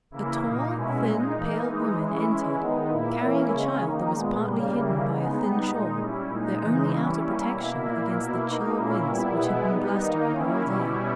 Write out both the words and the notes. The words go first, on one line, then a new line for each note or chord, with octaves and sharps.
A tall, thin, pale woman entered, carrying a child that was partly hidden by a thin shawl, their only outer protection against the chill winds which had been blustering all day.
C#3 E3 A#3 E4
A#2 A#3 D#4
B2 G#3 C#4 E4
A#2 G#3 D#4
E3 A#3 D#4
E3 G#3 D#4
E3 G#3 C#4 E4
E3 G#3 C#4 E4
D#3 G#3 B3 D#4
A#2 A#3 E4
E3 A#3 C#4 E4
C#3 G#3 C#4
D#3 A#3 D#4
A#2 G#3 B3
C#3 G3 A#3
C#3 G3 A#3 E4
C#3 G#3 B3 D#4
G3 B3 D#4
A#2 G#3 D#4
G3 C#4 E4
A#2 G#3 D#4
C#3 E3 G#3 D#4
E3 G3 C#4 E4
G3 A#3 C#4 E4
B2 A#3 E4
A#2 A#3 E4
B2 A#3 E4
B2 A#3 D#4
A#2 A#3 C#4 E4
A#2 G3 B3 E4
B2 G#3 B3 E4
G3 B3 D#4
D#3 A#3 D#4
D#3 A#3 C#4 E4
B2 G3 C#4 E4